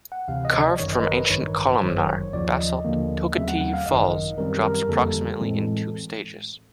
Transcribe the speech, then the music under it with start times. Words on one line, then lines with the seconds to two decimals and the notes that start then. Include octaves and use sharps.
Carved from ancient columnar basalt, Toketee Falls drops approximately in two stages.
0.12 F#5
0.28 D2 C3 E3 F5
0.45 D#5
0.63 D5
0.79 G1 F#2 D#3 C#5
0.93 D#5
1.01 B4
1.05 A#4
1.18 B4
1.30 A1 G2 D#3 C#5
1.81 G1 F#2 D#3 F#3 C5
2.07 C#5
2.33 D#2 C#3 F3 D5
2.59 D#5
2.85 D#2 D3 F3 A#3
3.35 D#2 C#3 F#3 A3 C4 E5
3.48 F#5
3.61 F#5
3.74 F5
3.86 G#1 F#2 D#3 D#5
4.37 F#2 D#3 G3 C4 A#4
4.64 A#4
4.88 F2 D3 G3 A#3 A4
5.40 A2 E3 G#3 C4